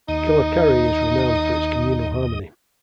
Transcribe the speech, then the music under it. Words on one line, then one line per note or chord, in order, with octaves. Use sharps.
Kilakarai is renowned for its communal harmony.
D#2 D#4 D#5 D#6